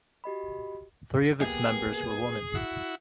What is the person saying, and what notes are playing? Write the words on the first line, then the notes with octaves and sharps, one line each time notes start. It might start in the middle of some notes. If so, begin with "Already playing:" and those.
Three of its members were women.
F#4 G4 D#5 B5
A#3 B3 G4 G#4
E4 F#4